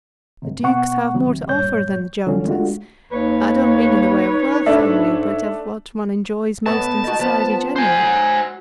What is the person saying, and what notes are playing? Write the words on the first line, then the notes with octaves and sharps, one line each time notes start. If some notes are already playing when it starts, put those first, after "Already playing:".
"The Dukes have more to offer than the Joneses;--I don't mean in the way of wealth only, but of what one enjoys most in society generally."
D2 G#2 C3
B2 B3 F#5 C#6
D#2 C3 F#3
G2 A#2 C#5 G6
D#2 D3 F3 G3 C#4
G#3 A3 D4 F4 F#4
D#2 D#4 B4 C#5
G#2 A3 D4 E5
A2 B3 C#5 A5
D#4 F#4
F3 B3 C#4
C5 G#5
F#3